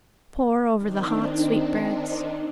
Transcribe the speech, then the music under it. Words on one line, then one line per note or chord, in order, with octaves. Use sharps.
Pour over the hot sweetbreads.
D#3 C4 D4 D#4